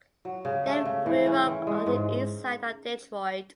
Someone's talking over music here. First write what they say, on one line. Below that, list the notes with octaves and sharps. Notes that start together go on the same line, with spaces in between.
Dave grew up on the eastside of Detroit.
F#3
C#3
A3
C#3
E3
C#4
E3
G#3
G#2